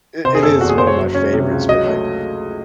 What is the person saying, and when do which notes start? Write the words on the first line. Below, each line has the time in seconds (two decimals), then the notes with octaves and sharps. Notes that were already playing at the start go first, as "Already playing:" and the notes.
I It is one of my favorites, but, like,
0.25 C3 C5
0.35 G#4
0.42 F#1 A4
0.61 E2 F#4
0.69 G#4
0.78 F#1 C5
0.87 C#5
0.97 F#3
1.15 C#4
1.33 C3
1.51 C#2
1.69 F#3 D#5
1.87 A3